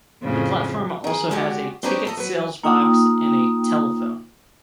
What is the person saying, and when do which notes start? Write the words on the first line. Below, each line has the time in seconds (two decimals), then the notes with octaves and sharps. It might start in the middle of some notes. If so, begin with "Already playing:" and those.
The platform also has a ticket sales box and a telephone.
0.23 F2 A2 C#3
1.04 D#3 G#4
1.31 G#3 B3 D4 F#4 G4
1.83 C4 D4 D#4 G4 B4 C#5
2.05 A3 A4 D#5
2.17 F#3 B4
2.63 A#3 D#4 F4 G5 D#6